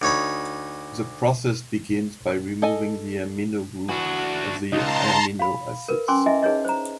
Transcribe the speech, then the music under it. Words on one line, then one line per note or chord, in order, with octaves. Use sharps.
The process begins by removing the amino group of the amino acids.
D2 D#4 C#5 B5
A4 D#5 G#5
E3 D4 F#4
C#2 D#4 A5 A#5 C6
F5 B5
A#4 B4
C#4 G#5 C6 D6 E6
E4 D#5 E5 G#5
D#4 G#4 B4 C#5 D#5
C5 A#5